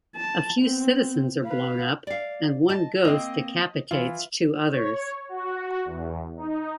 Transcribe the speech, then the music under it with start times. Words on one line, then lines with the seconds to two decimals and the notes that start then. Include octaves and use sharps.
A few citizens are blown up and one ghost decapitates two others.
0.16 A5
0.60 B3 C4
1.46 B4 F5
2.07 D5 F5
2.69 D#5 A5
3.05 A#3 C4 D#5
3.91 E3 F4
4.71 C#5
5.29 F#4
5.85 E2
6.37 D#4